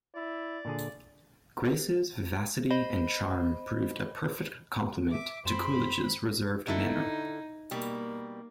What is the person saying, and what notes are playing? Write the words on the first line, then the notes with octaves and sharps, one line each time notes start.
Grace's vivacity and charm proved a perfect complement to Coolidge's reserved manner.
E4 D5
A#2 D3 D4 G#4
C5 D#5 B5
E5 D6
F#2 C4 B5 C6 E7
D3 D#4 E4 A4
B2 G3 A#3